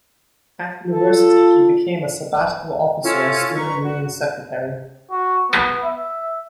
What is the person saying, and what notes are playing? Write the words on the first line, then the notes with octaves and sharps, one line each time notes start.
At university he became a sabbatical officer as Student Union Secretary.
F4 A4
C#4 E4 F4 A4
B4 A#5 C#6
F#4
F#4
B3
E5